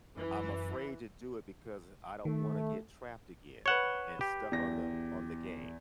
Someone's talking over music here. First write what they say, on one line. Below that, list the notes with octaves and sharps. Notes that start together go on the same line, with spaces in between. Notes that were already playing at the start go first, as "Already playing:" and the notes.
I'm afraid to do it because I don't wanna get trapped again and stuck on the on the game.
F#2 E3
D#3 A3
B4 C#5 F#5 E7 G7
G4
E2 A#6